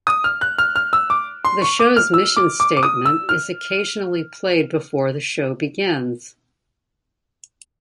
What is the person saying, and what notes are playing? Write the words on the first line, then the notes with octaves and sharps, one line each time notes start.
The show's mission statement is occasionally played before the show begins.
D#6
F6
F#6
F6
F6
E6
D6
C6
C#6
D6
F6
E6
D6
D6
D6
D#6
E6
F6